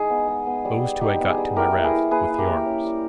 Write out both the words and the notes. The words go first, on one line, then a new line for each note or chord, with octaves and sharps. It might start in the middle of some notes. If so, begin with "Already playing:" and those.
Those two I got to my raft, with the arms.
Already playing: G#3 D#4 G#4
B3
G#3
B3
G3
G3
D#4 G4
B3
G#4
G3
E4 G4 A#4
A#3
G#4 B4
E4
A#3 G#4 B4
E4
G4 A#4
A#3
C#4
G3